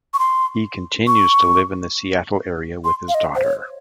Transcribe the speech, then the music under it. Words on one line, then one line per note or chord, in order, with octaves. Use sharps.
He continues to live in the Seattle area with his daughter.
C#6
C6
C#6
C6
F5
D#5
C5
C#5